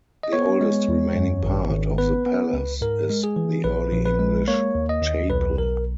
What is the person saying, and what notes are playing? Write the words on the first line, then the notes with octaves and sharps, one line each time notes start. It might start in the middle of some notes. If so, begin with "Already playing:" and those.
The oldest remaining part of the palace is the Early English chapel.
D#5
B3 C#5
G#3
E2
F#2
G#1
G#1
B3 B4
B3
C#2
G#2 A#4
G#3
G#4
E3
A#1 B4
A#1
B4
G#3
A#3 C#5
D#2
D#5
D#2
B1 B4
B1 A#4